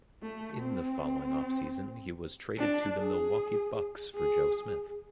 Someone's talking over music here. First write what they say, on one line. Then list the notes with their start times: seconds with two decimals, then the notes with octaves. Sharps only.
In the following off-season, he was traded to the Milwaukee Bucks for Joe Smith.
0.22 A3
0.61 C4
2.57 D4
2.97 G#4
4.15 G#4